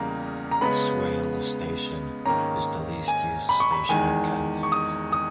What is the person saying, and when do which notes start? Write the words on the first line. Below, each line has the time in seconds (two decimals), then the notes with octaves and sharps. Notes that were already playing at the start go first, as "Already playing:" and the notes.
Swale Station is the least used station in Kent.
Already playing: E2 C#3 G3 A#3 A#5
0.51 A#5
0.61 C#3 G#3 B3 B5
2.25 G#2 D#3 A#3 C#4 A#5
3.08 G#5
3.49 B5
3.60 C#6
3.72 B5
3.89 E2 D#3 G#3 G#5
4.63 C#6
4.72 D#6
5.12 D#6